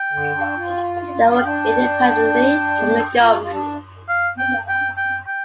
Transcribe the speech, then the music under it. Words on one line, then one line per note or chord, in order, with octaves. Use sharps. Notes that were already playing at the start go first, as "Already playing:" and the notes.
They work independently from the government.
Already playing: G5
D3
D4
F4
F5
D4 G5
F4
F4
D4
F5
G5
G5
G5
G5